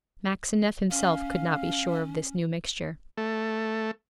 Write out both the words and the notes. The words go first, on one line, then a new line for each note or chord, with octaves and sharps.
Maxineff himself could not be sure of this new mixture.
C#4 F5
A3